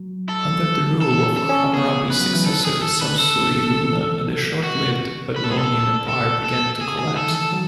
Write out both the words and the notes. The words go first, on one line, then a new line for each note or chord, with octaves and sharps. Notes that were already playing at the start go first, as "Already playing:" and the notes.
Under the rule of Hammurabi's successor Samsu-iluna, the short-lived Babylonian Empire began to collapse.
Already playing: F#3
A4
E3 A4
C#4
A4
C#4
B3 G#4
B4
F#3
E3
D#3 A4
G#4
A4
B4
A4
D#3
E3
F#4
B4
A4
G#4
A4
A4
A4
C#3 G#4
G#4
D#3
A4
E3
A4
F#3